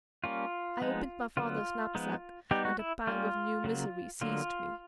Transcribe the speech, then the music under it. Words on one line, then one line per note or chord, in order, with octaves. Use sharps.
I opened my father's knapsack, and a pang of new misery seized me.
G3 A#3 C#4 F4
F3 G#3 B3 D#4
D3 F#3 B3 F4
F3 G#3 B3 D#4
G3 B3 D#4 G4
F#4
E4
G3 A#3 C#4 F4
C#3 F#3 A#3
D3 F#3 A#3 F4